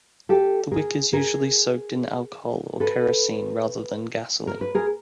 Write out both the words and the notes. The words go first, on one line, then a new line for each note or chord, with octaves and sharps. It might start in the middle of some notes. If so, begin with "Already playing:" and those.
The wick is usually soaked in alcohol or kerosene, rather than gasoline.
G4 A4
G#4 A#4
G#4 A#4
A4 B4
A#4
B4
G#4 A#4